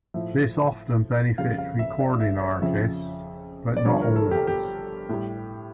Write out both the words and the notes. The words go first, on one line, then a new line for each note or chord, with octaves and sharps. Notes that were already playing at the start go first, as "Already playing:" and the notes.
This often benefits recording artists, but not always.
A2 F3 E5
F2 C#3 G3 F5
F5
E5
D5
E5
C#5
F2 C#3 F3 E5
D5
G2 D3 F3 C#5
A#4
A4
G4
G4
A2 G3